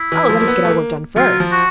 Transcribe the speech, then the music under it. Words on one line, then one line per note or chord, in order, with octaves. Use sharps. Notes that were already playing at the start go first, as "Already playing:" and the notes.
'Oh, let us get our work done first.'
Already playing: E4
E3
F3
A#3
B3
A3
A#3
F#3 F4
F3
F#4